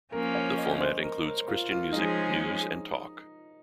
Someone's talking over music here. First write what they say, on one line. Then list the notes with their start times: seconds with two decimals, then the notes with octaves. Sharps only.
The format includes Christian music, news and talk.
0.12 F3 A#3 C#4 A#4
0.35 C#5
0.58 D#5
0.80 C5
1.03 A#4
1.25 A#4
1.48 F4
1.70 F4
1.92 F3 G#3 C#4 D#4 G#4